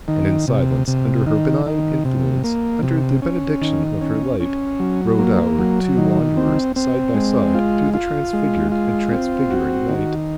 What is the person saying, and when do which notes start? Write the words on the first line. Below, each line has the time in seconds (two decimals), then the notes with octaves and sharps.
And in silence under her benign influence, under the benediction of her light, rode our two wanderers side by side through the transfigured and transfiguring night.
0.08 D#3
0.48 C3
0.88 C3
1.26 D#3
1.66 D#3
2.05 C3
2.44 A#3
2.83 C3
3.22 C#4
3.61 D#3
4.01 C#4
4.40 C#4
4.80 F#3
5.19 A#3
5.59 F#3
5.98 D#3
6.37 C4
6.76 C4
7.14 G#3
7.55 F4
7.94 F4
8.33 G#3
8.72 F4
9.12 C4
9.50 F#4
9.89 D#3